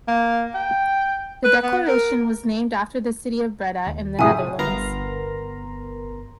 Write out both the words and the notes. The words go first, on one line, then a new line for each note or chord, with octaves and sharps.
The declaration was named after the city of Breda in the Netherlands.
A#3
G5
B4
B3
A#4
D#2
F1 A2 G#3 E4 E5 G#5 D#6
G1 B3 A#4 A#5 C6